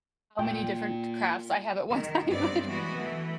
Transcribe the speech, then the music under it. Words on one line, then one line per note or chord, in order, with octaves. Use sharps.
how many different crafts I have at one time,
A#2 G5
D#3
G2 B3 C4 D5
E3 G#3 B3 F#4
E3 A3